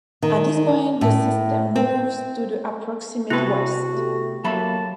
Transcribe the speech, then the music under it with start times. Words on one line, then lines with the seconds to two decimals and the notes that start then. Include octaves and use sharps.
At this point the system moves to the approximate west.
0.22 D#3
1.01 A2
1.76 C4
3.30 C3 B3 E4 F#4 B4
3.94 A3 G4
4.44 F#3 A#3 E5 A5 B5